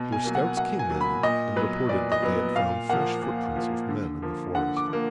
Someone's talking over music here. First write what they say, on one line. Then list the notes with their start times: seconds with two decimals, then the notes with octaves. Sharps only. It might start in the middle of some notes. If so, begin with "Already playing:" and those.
Their scouts came in, and reported that they had found fresh footprints of men in the forest.
Already playing: B2
0.12 G#5
0.24 F#3 A#3
0.35 F#5
0.57 B2 F#5
0.79 G#5
0.90 F#3 A#3
1.01 B5
1.23 A#2 D#5
1.56 F#3 B3 B4
1.89 A#2 D5
2.12 D#5
2.23 F#3 B3
2.56 A#2 F5
2.89 F3 A#3 F#5
3.22 A#2
3.56 F3 A#3
3.89 D3
4.22 F3 A#3
4.55 D3 F#5
4.77 D6
4.88 F3
4.93 A#3